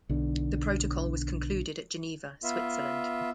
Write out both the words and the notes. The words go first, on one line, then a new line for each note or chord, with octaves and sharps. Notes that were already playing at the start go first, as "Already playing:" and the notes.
The protocol was concluded at Geneva, Switzerland.
B1 D3
B3 F4 E5